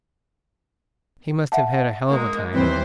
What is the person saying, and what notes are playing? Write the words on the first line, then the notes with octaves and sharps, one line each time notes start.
He must have had a hell of a time.
E5 F#5 A5
G#3 A#3
D#2 E3 G3 C4 B4 C5